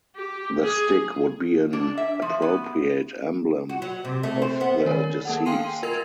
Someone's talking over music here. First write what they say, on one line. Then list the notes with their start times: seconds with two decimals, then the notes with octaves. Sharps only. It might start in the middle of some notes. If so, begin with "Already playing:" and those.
The stick would be an appropriate emblem of the deceased.
0.15 G4
0.64 G#4
1.73 D4
1.98 E5
2.22 F3
2.42 B3
3.69 F#4
3.82 F#3
4.05 C3
4.23 A3
4.42 C4
4.61 B3
4.86 D#3 A#4 C#5
5.25 A#3 A4 F#5
5.45 F5 G5 G#5 C6 C7 D#7
5.83 F4 A#4 G#6 F7